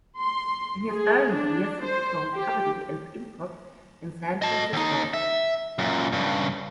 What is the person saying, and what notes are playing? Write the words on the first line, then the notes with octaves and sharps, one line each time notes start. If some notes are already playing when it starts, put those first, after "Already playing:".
In his early years, he performed comedy and improv in San Francisco.
C6
G#4
D4
C5
G4
D#5 A5
D#2 D#4
E5
F#2 A#2
G2 C#3